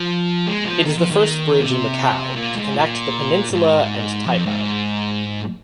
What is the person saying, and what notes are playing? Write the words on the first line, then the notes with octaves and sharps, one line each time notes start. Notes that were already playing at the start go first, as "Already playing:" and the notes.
It is the first bridge in Macau, to connect the peninsula and Taipa.
Already playing: F3
G#3
F3
D#3
F3
D#3
C3
A#2
G#2
A#2
G#2
F2
G#2